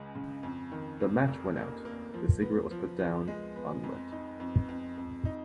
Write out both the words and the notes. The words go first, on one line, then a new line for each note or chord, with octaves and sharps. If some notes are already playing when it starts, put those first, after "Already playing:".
The match went out, the cigarette was put down unlit.
Already playing: C#2 C#3 G#3
C#3
F2
D#3
F2
F1
A#3
A#3
F3
B3
F3
F3
G#3
B3
F2
D#4
F2
F2
F2
D#4